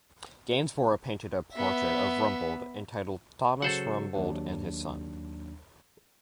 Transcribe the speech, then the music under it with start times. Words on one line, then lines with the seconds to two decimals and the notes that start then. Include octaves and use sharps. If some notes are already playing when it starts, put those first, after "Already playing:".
Gainsborough painted a portrait of Rumbold entitled "Thomas Rumbold and his Son".
1.54 B3 E5
3.62 C#3 F#3 F#4 A4 C5 F#5
4.15 D#2 F#3 D4